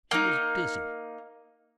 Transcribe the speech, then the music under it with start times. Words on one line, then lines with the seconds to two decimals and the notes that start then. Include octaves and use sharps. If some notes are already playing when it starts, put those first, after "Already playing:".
"He is busy."
0.11 A#3 D#4